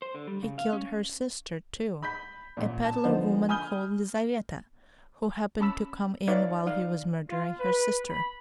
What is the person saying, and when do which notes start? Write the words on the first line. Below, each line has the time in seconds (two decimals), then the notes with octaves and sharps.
He killed her sister too, a pedlar woman called Lizaveta, who happened to come in while he was murdering her sister.
0.02 C5
0.14 D3
0.27 G3
0.43 C#3
0.58 F5
0.73 C#4
2.03 B5 G6 B6
2.57 A1 A#2
2.85 A5
3.04 D3 F3 B3 D#4 C5
3.49 G#5 B5 D#6 F6 G6 G7
5.60 C#4 A5 B5 E6
6.28 D#4 B4 C#5 D5 E5 F5
6.66 D#4 D5 F5
7.29 F4
7.59 B4
8.09 B5